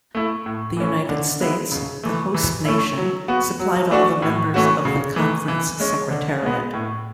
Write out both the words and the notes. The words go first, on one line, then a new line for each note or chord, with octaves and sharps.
The United States, the host nation, supplied all the members of the conference secretariat.
A3 E4
A2
E3 A3 C#4
D3
G#3 B3 E4
C#3
E3 A3
E3
A3 C#4 E4
F#3
B3 F#4
F#3
A3 D4 F#4
A2
E3 A3 C#4 F#4
C#3
E3 A3
E3
G#3 C#4
D3
G#3 B3
A2